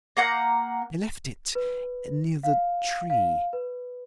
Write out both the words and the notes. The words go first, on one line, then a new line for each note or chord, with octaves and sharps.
"I left it near the tree."
A#3 F#5 A#5 G6
B4
F5
F5
B4